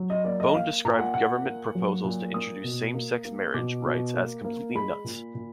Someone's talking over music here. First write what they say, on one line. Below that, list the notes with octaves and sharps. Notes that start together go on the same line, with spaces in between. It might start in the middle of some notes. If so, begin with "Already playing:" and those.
Bone described government proposals to introduce same-sex marriage rights as "completely nuts".
Already playing: F#3
D#5
A#3 D5
D#5
A#3 F5
A#2 A#5
F#5
A#2 F#5
A#3
F#3
A#2
A#3 D#6
B2
A#3
A#3
B2 D6
B2
A#3
A#3
G#3 B5
A#2
A#2